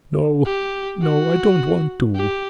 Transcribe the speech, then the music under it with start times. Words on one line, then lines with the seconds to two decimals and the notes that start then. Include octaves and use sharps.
"No! no! I don't want to!"
0.45 G4
1.02 F#4
2.15 G4